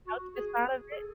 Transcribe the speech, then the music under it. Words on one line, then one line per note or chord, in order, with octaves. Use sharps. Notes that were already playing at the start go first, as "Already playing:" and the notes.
melted inside of it.
F#4
G#4
A4
G#4